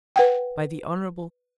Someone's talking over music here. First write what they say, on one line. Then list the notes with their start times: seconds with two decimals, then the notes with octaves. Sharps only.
By the Hon.
0.16 B4 F#5 G5